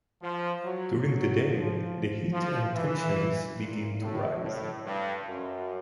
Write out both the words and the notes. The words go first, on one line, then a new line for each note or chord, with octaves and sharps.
During the day, the heat and tensions begin to rise.
F3
F#3
F#3
F3
F3
E3
A#2
A2
A2
G2
F#2